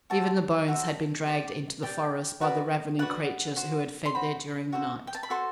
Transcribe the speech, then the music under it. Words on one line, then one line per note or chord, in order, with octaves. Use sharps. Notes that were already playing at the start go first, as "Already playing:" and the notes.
Even the bones had been dragged into the forest by the ravening creatures who had fed there during the night.
F#4 A4 C5 A5
F#4 A4 C5
G4 D5
G4 D5 G5
F#4 B4 D5
F#4 B4 D5 F#5
F#4 C5
C6
F#4 C5 B5
F#4 A4 C5
G5
A5
B5
F#4 A4 C5 C6